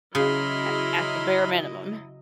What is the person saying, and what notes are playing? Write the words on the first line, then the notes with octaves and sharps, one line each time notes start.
at at the bare minimum.
C#3 F#3 E4 D#5 B5 C6 F6